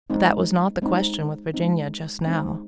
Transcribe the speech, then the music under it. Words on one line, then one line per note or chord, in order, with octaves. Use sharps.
But that was not the question with Virginia just now.
G#3 C4 D#4
G#3 C4 D#4
G#3 C4 D#4
G#3 C4 D#4